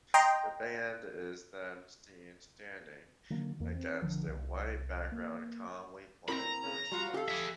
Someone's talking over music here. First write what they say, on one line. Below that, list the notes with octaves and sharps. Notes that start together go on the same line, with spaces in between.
The band is then seen standing against a white background, calmly playing their instruments.
D#5 G5 A#5 C6
D3 D#3 F#3 A#3
E2 A#3
C4
A#1 D3 D#3 F3
C2
A#3
C4 E4 A#4 A#5 B5
C#3 C#4
G3 F4 F#4
G4 A4 F5
G#4 E5